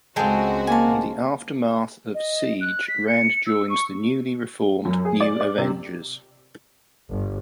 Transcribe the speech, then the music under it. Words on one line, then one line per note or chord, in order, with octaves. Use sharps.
In the aftermath of "Siege", Rand joins the newly reformed New Avengers.
C#2 G#3 C4 F#4 A4 G5 G#5
A#3 G#5 A5
D#5
F#6
B6
C#7
E6
C#6
F#2
G#4
D5
D5
C3
G1